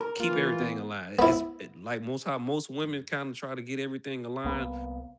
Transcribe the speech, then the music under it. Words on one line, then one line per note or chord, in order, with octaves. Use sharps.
keep everything aligned. I it's like most how most women kinda try to get everything aligned
A#4
E3 A#3 F4
B3
B3 E4
C2 A#3 B3